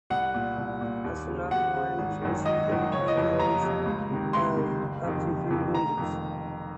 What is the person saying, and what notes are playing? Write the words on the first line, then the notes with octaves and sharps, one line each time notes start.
A tsunami warning was issued indicating waves of up to three meters.
C2 F#5
A#2
C2
A#2
D#2
C#3
D#2 F#5
C#3
G#1
F#2 D#3
G#1 D#5
F#2 D#3
F#1 C#5
D#5
F2 C3
F#1 A#5
F2 C3
C#2
C3 D#3
C#2 C6
C3 D#3
F#1
F2 C3 D#3
F#1
F2 C3 D#3
F1 A#5
F2 D#3